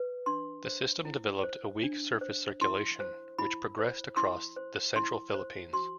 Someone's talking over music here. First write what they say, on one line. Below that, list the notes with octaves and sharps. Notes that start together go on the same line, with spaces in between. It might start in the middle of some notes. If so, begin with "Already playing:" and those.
The system developed a weak surface circulation which progressed across the central Philippines.
Already playing: B4
D4 C6
C5
E4
C5
D4
C5
E4 C6
C5
E4 B5
C5
E4 C6
C5
E4 C6
C5
F#4 C6